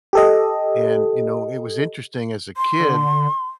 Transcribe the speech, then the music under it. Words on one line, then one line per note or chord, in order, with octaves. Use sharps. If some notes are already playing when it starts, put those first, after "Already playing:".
and, you know, it was interesting as a kid,
G4 A4 D#5
C6
D3